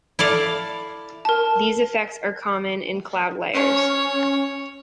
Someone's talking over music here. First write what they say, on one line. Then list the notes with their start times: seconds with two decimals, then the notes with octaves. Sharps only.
These effects are common in cloud layers.
0.19 E4 A4 D5 F5
1.25 A#4 A5
3.54 C#4 C#5